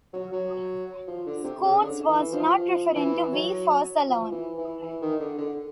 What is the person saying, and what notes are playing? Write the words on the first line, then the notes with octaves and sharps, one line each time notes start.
Scoones was not referring to V Force alone.
F#3
F#3
F3
D3
C3
C#3
D3
E3
F3
F3
E3
F#3
F3
E3
E3
E3
D#3
D3
D3